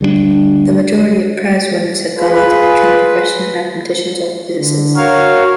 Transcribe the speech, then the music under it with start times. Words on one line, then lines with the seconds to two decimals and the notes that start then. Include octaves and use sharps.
The majority of prize-winners have gone on to become professional mathematicians or physicists.
0.01 D2 G3 G#3 D4
2.18 F4 G#4 B4
4.56 D3
4.96 F#4 A#4 C#5 F5